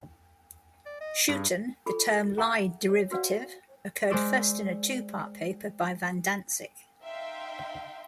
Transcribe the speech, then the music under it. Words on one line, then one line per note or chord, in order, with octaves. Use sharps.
Schouten, the term "Lie derivative" occurred first in a two-part paper by van Dantzig.
D5
D#5
G2 G#4
F4 G#4 A4 B5
G#4 E5 F#5 A#5
C#5
F#4 B4 C5 D5 F5 F#5
G#3 C5 D5 E6
D#4 E5 F5 G5 C6